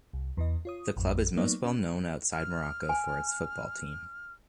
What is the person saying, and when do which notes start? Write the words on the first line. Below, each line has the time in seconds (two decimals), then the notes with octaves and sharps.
The club is most well known outside Morocco for its football team.
0.13 C2
0.37 E2 E3 D#5
0.65 F4 C#5 D#6
0.96 A1 F2
1.37 F#3 A#3 B3 D#4 C#5 D5
1.65 C#4
2.32 F6
2.89 G#5